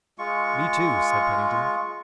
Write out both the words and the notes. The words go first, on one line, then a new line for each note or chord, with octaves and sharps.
"Me, too," said Pennington.
G#3 F4 C#6